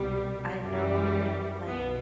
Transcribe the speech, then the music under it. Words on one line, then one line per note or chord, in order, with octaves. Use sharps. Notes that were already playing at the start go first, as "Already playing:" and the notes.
I know, like,
Already playing: C2 B2 G3
F#2 E3 G3
B1 B2 B3